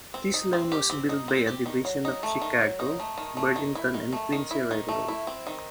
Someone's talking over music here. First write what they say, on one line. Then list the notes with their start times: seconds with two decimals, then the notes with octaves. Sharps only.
This line was built by a division of the Chicago, Burlington and Quincy Railroad.
0.14 C4
0.34 D#4
0.53 C4
0.72 G4
0.90 C4
1.09 D#4
1.28 C4
1.47 G4
1.66 D#3
1.85 F#3
2.05 D#4
2.23 A3
2.42 D#3
2.61 F#3
2.80 D#4
2.99 A3
3.18 D#3
3.37 A3
3.56 D#3
3.75 E4
3.94 D#3
4.13 A3
4.33 D#3
4.51 E4
4.71 D#3
4.89 A3
5.08 E4
5.27 C4
5.47 D#3